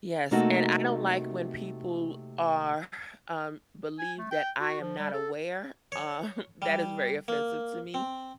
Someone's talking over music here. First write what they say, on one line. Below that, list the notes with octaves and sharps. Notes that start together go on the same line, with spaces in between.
Yes, and I don't like when people are um, believe that I am not aware, um, that is very offensive to me.
C3 A3 A#3 D#4 F#4 A4
G#5
A3
G5
F#4
F3
G3
A4
C#5
G3
A#3
C4